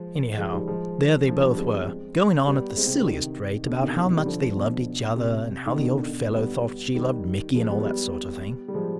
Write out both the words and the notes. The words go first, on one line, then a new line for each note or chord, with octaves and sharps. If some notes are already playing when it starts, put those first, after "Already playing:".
Anyhow, there they both were, going on at the silliest rate about how much they loved each other and how the Old Fellow thought she loved Micky and all that sort of thing.
Already playing: F3 G#3
F3 G#3
D#3 G3
F3 G#3
D3 F3
G3 B3
G#3 C4
G3 B3
G#3 C4
C3
D3
C3 D#3
B2 D3
C3 D#3
G3
D3 F3
B2 D3
C3
D#3
B2 D3
G3 B3
D#3 G3
F3 G#3
G3 B3
G#3
G3 B3
G3
F3 G#3